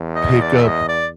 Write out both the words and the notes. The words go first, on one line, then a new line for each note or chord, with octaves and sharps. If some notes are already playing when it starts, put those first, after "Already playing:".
pick up
Already playing: E2
D#5
D5
E5
D#5
D5